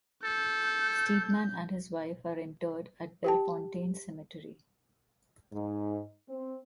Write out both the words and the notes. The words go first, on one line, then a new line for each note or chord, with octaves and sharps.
Steedman and his wife are interred at Bellefontaine Cemetery.
A4 G6
G4 G5 A5
G#2
C4